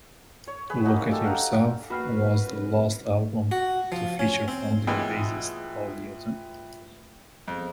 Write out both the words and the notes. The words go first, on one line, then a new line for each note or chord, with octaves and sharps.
"Look at Yourself" was the last album to feature founding bassist Paul Newton.
C#5
G#4 B4
A#3 D#4 F#4
D#4 G4 A4
F5 F#5 A#5
A#3 F#4 B4 B5 F6 C7
C2 C#4
F#4
F3
C#4
C4
B2 E3 G#3 A3 F4 B4 E5 G5
F2 B3 G#4 C5